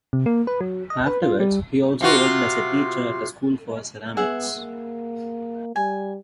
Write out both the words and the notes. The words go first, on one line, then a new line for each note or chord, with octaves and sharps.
Afterwards, he also worked as a teacher at a school for ceramics.
C3
A#3
B4
F#3
D#5
B4
F4
G3
C3 F4 F#4
B3 G#4 E5 F#5
A#3
G3 G#5